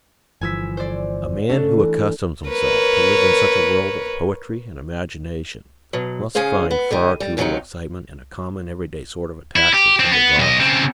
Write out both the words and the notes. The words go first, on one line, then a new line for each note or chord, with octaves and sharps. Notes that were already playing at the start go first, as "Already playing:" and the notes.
A man who accustoms himself to live in such a world of poetry and imagination must find far too little excitement in a common, every-day sort of attachment such as ours.
G1 E3 F3 G#5 E6 B6
C5 D5
C#3 A3 C#4 D4
E3
A#4 B4 C#5
B2 F#3
C#3 C#4 G#4 C5 F5
B3
D3 D#4 G4
G3
D#2 C3 F#3 C4 C#4 D#4
E4
G4
F3 C4
B3
B1 D#5
C#3 C4